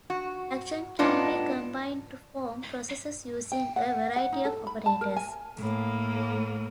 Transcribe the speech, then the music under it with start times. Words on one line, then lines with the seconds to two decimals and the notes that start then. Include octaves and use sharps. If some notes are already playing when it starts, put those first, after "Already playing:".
Actions can be combined to form "processes" using a variety of operators.
0.10 F#4
0.99 A2 G3 B3 D4 D#4 F4
3.52 G5
3.76 F#5
4.16 F#5
4.32 D#4
4.45 A4
4.67 B5
4.86 A5
5.01 A#4
5.16 G#5
5.59 A2 A#3